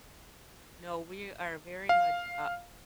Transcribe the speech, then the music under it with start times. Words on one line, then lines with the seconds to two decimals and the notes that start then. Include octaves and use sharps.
No, we are very much up.
1.89 F5